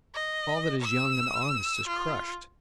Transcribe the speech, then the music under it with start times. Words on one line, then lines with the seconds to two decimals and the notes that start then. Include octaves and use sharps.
All that is young and honest is crushed!
0.15 D#5
0.82 E6
1.88 F4